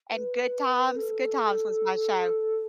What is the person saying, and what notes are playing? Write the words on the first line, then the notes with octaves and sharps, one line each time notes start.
And Good Times, Good Times was my show.
B4
B4
A4